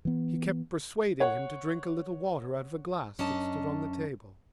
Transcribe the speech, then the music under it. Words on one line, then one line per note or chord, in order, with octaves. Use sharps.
He kept persuading him to drink a little water out of a glass that stood on the table.
E3 B3
C#5 F#5
F#2 C#4 D4 D#5 A5